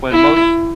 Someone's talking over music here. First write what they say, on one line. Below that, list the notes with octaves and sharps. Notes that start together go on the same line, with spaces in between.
when most
E4